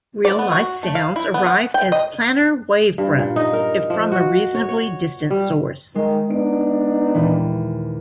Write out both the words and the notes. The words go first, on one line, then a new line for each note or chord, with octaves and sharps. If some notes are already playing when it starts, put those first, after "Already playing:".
Real-life sounds arrive as planar wavefronts, if from a reasonably distant source.
D5
B3
F#4
A3
F5
E4
B3
F#5
G5
D#5
G2
A#2
D#4
A#4
F3
F#4
C#5
C#5
G3
D#3 G#3
B3 D4 D#4 D7
D#2 A#2 E3